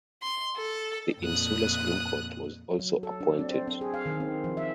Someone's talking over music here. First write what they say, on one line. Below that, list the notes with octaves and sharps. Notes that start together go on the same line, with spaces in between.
The Insular Supreme Court was also appointed.
C6
A4
F2 A#2 D#6 F#6
F#3
A4
D4
C4
C5
C4
G#4
F5
D#3
C4
F3
E5